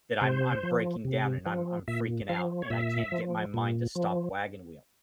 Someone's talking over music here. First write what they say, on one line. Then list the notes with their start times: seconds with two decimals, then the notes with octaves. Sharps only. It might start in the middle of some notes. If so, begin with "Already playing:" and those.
that I'm I'm breaking down and I'm I'm freaking out and I can't get my mind to stop wagon-wheeling.
0.21 C3 C5
0.63 F3
1.05 C3
1.46 F3
1.88 A#2 E5
2.29 F3 F5
2.62 C#5
2.70 A#2 E5
3.12 F3
3.54 A#2
3.95 F3